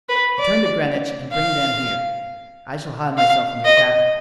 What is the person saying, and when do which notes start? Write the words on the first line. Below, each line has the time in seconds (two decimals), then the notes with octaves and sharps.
Return to Greenwich and bring them here. I shall hide myself in your cabin.
0.09 B4
0.40 D5
1.33 F5
3.18 F5
3.65 D#5